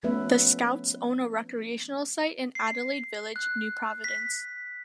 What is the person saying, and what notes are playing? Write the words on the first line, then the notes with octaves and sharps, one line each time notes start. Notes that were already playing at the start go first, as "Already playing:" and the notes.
The Scouts own a recreational site in Adelaide Village, New Providence.
F3 A3 B3 C#4 B4 E5
C7
F#6
B6